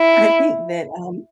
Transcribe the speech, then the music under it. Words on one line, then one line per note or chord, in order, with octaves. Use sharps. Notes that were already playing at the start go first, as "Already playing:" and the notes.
I think that, um
Already playing: E4